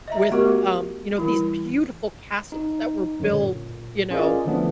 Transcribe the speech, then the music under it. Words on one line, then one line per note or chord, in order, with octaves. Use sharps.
with, um, you know, these beautiful castles that were built, you know,
D#5 E5 A#5
A3 B3 F#4 G4 A#4
E3 G3 E4
D#4
F#2 D3 C#5
A#2
C#4 F4 G#4 A#4 D5 D#5
D3 E3 F3 A3 B3 D4